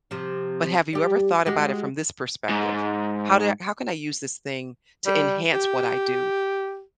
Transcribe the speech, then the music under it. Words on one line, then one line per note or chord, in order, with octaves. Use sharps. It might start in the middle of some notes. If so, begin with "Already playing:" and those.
but have you ever thought about it from this perspective? How do how can I use this thing to enhance what I do,
C3 F3
G3 G4
G#3 F#4 G4
G#2
G3
G4